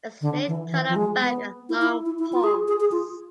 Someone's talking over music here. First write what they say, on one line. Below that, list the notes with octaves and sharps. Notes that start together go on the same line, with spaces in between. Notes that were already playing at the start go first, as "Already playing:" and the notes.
A slate-color back and long paws.
D3
E3
E3
F3
G#3
B3
E4
E4
E4
E4
F4
G#4
G#4
G#4
F4